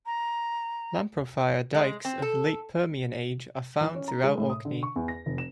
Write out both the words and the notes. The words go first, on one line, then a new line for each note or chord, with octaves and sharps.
Lamprophyre dykes of Late Permian age are found throughout Orkney.
A#5
G#3
C4
A4
E3
C#4
A#5
G#3
A2
D#6
D3
C#6
E2
A#6
F1
E7